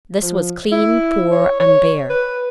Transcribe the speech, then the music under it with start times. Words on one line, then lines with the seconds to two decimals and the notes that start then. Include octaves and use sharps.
This was clean, poor, and bare.
0.22 F3
0.71 E4
1.32 C#5
1.60 C#5
2.09 B4